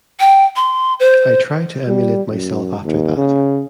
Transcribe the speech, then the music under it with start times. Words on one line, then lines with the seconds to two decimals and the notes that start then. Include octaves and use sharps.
I try to emulate myself after that.
0.20 G5
0.56 C6
1.00 C5
1.87 G3
2.31 F#2
2.84 D#2
3.17 C#3